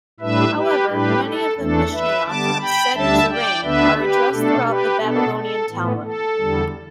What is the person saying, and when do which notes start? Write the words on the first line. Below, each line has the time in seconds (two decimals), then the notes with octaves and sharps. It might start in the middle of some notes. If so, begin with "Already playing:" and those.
However, many of the mishnayot of Seder Zeraim are addressed throughout the Babylonian Talmud.
0.20 A2 G3 D4 B4 E5
0.54 G4 B4
0.90 A2 G3 D4 G4 B4
1.24 A4
1.58 E2 E3 A3 D4 A4
1.92 B4 E5
2.26 D3 G3 B3 A5 D6
2.61 G5 B5
2.95 D2 D3 G3 D4 E5 A5
3.29 D5 G5
3.63 D2 D3 B3 D4 B4 E5
3.98 G4 B4
4.31 B2 A3 D4 A4
4.66 G4 B4
5.00 B2 B3 D4 A4
5.35 A4
5.69 A2 E3 B3
6.03 A4
6.37 E2 D3 G3